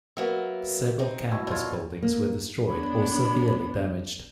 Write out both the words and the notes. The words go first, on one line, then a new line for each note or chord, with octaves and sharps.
Several campus buildings were destroyed or severely damaged.
F#3 A#3 B3 E5
C4 D#4
B2 E4 C#6
A#2 F4 C#5
A#3
B3 D4 C#5 B5